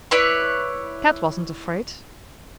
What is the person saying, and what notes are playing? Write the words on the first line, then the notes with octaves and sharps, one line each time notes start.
Kat wasn't afraid.
E4 B4 C#5 D5